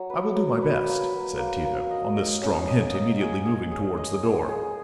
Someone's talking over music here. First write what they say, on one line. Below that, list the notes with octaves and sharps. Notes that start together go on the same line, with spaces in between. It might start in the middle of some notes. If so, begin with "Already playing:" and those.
"I will do my best," said Tito--on this strong hint, immediately moving towards the door.
Already playing: F#3
B4
F#3
B4
A#3
F#3
A#3
A#3
D#5
D#5
C#4
D#5
D#5
G#4
G#4
G#4
D#5
G#4
G#4